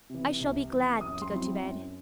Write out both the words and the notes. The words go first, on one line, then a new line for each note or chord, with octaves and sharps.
"I shall be glad to go to bed."
C3 E3
C2
C3 E3
F#2 D#6
C6
F#3 C4 E4
F#2